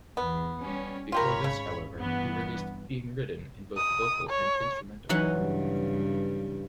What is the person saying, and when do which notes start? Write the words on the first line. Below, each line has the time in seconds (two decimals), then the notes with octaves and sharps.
Before this, however, he released "Being Ridden" in both vocal and instrumental form.
0.17 E2 B3
0.60 G3 C#4
1.12 G#1 F4 G4 A#4 C#5 B5
1.44 C#3
1.99 G2 E3 B3
3.77 D#6
4.29 C#5
5.09 E3 F#3 D#4 F#5
5.39 G2 C#3 G3